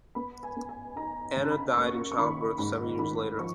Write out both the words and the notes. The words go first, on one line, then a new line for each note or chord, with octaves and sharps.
Anna died in childbirth seven years later.
B3 B5
G#5
B3
G#5
D#4 A#5
C#3
B5
A#3 C#6
C#6
D#3 B5
G#2 B5
D#3 B5
F3 C#6